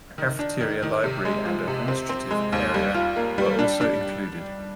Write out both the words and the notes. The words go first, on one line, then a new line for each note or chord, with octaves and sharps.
A cafeteria, library and administrative area were also included.
D#3
D4
D#3
D#3
C3
G#3
F3
C3
C4
C4
G#3
D#2
G3
F4
A#3
G3
D4
D4